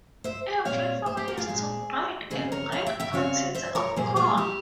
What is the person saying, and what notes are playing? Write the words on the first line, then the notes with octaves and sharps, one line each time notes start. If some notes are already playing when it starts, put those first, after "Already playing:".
Every farmer used to grind a great quantity of corn.
C5 E5
A#2 G3 C4 C#5 F5
C5 E5
G#4 C5
G4 A#4
F4 G#4
A#2 G#3 C4
C#3 G3 C4 G#4 C5
A#4 C#5
C#5 F5
E5 G5
E5 G5
C#3 G3 C4 C#5 F5
C5 E5
A#4 C#5
A#2 G3 A#3 G#4 C5
F4 G#4
E4 G4